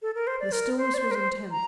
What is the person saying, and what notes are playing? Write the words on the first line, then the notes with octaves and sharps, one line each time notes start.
The stillness was intense.
A4
A#4
C5
D5
A#4
C5
D5
C5
A#4
C5
A#5